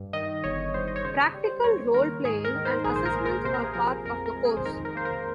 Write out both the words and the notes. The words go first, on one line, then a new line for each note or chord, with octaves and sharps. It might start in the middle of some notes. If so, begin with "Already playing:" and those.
Practical role-playing and assessments are part of the course.
Already playing: G2
D#3 D#5
G1 C#5
G3 C5
D#5
C#5
C#3 C5
G3
C5
D#2 C#5
D#2 A#4
G#2 G#4
A#4
D#3
C5
A#1 G#4
C5
A#4
A#3
A#4
C3 C5
A#4
G#4
F3 A#4
F2 A#4
A#4
G#3
G#4
C5
D#3 A#4
A#4
A#3 C5
A#4